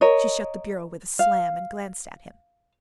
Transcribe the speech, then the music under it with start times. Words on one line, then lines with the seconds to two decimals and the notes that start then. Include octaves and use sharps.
She shut the bureau with a slam, and glanced at him.
0.01 A#4 C#5 D#5
1.19 F5